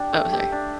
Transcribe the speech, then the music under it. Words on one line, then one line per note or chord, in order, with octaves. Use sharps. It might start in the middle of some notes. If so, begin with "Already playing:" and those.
oh, sorry.
Already playing: D4 G4
A3
G4
D4